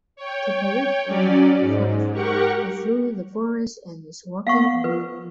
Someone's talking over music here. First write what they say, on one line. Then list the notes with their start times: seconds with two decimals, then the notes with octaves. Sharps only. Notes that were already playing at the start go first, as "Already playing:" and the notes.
The parikrama path is through the forest and is walking only.
0.16 C#5 G5
1.06 F#3 C#4 D5
1.60 G#2
2.11 G4 A#4 F#5 C#6
4.47 B3 F5 F#5 C#6
4.84 F3 B4